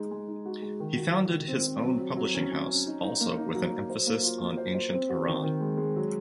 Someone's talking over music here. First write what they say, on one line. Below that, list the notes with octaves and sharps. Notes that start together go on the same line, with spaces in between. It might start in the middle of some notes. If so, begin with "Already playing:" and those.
He founded his own publishing house, also with an emphasis on ancient Iran.
Already playing: G#3 D#4 G#4
G#3
D#4
F#4
G#3
D#3
F#4
F#4
D#3
C4
C4
F#3
F#3
F#3
C#4
C#4
C#4
D#4
D#4
A#3
D#4
F#3
F#3
C5
A#3
F4
A#3
C5
C5
C4
F#4
D#3
D#3
G#3
G#3
F#3